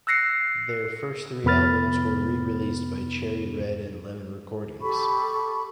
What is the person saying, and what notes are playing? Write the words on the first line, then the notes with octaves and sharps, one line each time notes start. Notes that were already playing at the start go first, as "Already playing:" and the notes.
Their first three albums were re-released by Cherry Red and Lemon Recordings.
E6 F#6 A#6 C7 C#7
F2 C3 B3 B5 F6 A6
G4 A4 B5 C#6